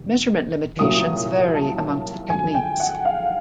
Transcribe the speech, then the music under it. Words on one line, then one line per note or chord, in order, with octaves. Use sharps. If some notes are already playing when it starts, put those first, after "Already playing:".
Measurement limitations vary amongst the techniques.
Already playing: F1 D#2
C2 A#2 F#3 A#3 C#4 D#6
A5
F2 D3 F#3 G#5
G5
F#5
F5